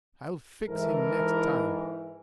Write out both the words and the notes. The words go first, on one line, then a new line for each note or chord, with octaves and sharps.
I'll fix him next time.
G#2 E3 E4 A4 A#4